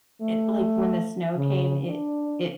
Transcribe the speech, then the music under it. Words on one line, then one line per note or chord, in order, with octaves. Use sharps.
it like when the snow came, it it
A3
C#3
D4